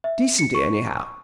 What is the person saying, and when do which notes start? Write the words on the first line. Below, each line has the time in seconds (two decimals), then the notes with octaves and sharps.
Decently, anyhow.
0.04 E5
0.39 C#7
0.55 C#6